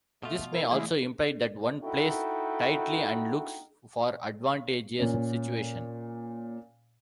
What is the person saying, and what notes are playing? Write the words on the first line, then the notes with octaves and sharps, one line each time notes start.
This may also imply that one plays tightly- and looks for advantageous situations.
B2 A3 F4
E4 A#4
E3 G#3 A3 E4 G#4 F5
D#4 E4 F#4 A4 G5
A#2 C#4